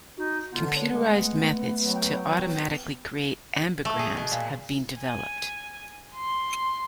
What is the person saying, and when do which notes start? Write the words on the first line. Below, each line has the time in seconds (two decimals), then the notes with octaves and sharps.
Computerized methods to automatically create ambigrams have been developed.
0.18 D#4 F#4
0.52 D3 B3 F4 F#5
0.76 C#5 F#5
0.92 G#3 A3
1.79 F#3
1.94 G5
3.85 A3
3.99 G#4
4.17 B2
4.31 A#2
5.01 G#5
6.15 C6